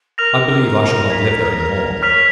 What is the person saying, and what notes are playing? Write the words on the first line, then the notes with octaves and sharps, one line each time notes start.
I believe I shall not live there any more.'
A#4 F6 A#6 F7
G#6 B6 F7
C#5 F6 B6 F7